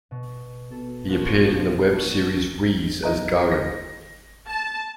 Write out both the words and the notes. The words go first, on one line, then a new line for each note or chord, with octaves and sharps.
He appeared in the web series "Riese" as Garin.
B2
B2 A4
A#1 F3 A#3 F#4 F#5
F#4 A5
B1 D#5 A#5
A#6
A5